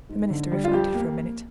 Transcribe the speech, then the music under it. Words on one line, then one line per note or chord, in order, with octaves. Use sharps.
The minister reflected for a minute.
G#2
D3
G3
F4
F2 G4
A#3